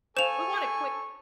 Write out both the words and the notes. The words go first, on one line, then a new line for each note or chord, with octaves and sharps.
We want it quick
A4 C5 F5 G#5 C#6 E7 F7